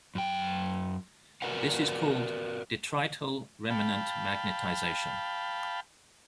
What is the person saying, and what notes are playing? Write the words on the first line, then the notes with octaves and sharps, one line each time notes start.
This is called "detrital remanent magnetization".
F#2 G5
F#4 A#4 B4 D5 F5 F#5
F5 G5 A5 B5